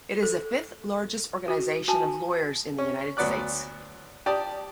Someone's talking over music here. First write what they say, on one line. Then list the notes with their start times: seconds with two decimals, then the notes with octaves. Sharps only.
It is the fifth largest organization of lawyers in the United States.
0.23 A4
1.48 F#4
1.88 F#4 G#5 A5
2.78 C#4
3.17 D2 F#3 B3 D5 D6 F#6
4.26 G4 D5 A5 D#6